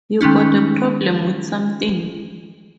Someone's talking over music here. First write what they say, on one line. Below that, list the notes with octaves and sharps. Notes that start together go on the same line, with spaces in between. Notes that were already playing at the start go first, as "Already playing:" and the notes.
You got a problem with something?
D#3 G#3 A3 C#4 D#4